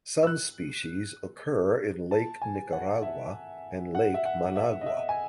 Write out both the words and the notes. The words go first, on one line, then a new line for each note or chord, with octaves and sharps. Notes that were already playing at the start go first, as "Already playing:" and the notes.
Some species occur in Lake Nicaragua and Lake Managua.
E6
F#6
A5
G#5
F#5
E5
F#5
E5
F#5
E5
D#5
E5
G#5